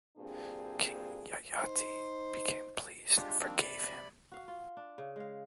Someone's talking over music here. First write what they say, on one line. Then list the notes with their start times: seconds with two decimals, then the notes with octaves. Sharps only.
King Yayati became pleased and forgave him.
0.17 D2 G2 A#2 C4 D4 G#4
1.58 D#4 C5
3.16 G#3 D4 F4 G4
3.39 D#3 F3 G3 A#3 C4 D4
3.59 C3 D5 B5
4.32 F#4 F5
4.48 F4
4.77 D4
4.98 C#3
5.16 G#3 F5